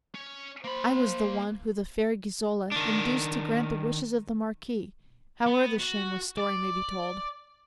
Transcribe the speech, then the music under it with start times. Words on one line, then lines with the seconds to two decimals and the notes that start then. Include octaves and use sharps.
I was the one who the fair Ghisola Induced to grant the wishes of the Marquis, Howe'er the shameless story may be told.
0.15 C#4
0.64 A#3 C5 B5
2.72 D#3 D4
5.46 B3
5.79 F#4
6.37 D5